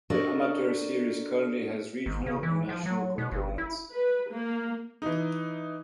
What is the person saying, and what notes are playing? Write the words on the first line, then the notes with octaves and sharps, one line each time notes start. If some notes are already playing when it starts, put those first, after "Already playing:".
The amateur series currently has regional and national components.
D4 F#4 A4 A#4 D5 D#5
G#1
C#3
E3
F3
F#3
B2
G1
E4
B4
A#3
E3 D#4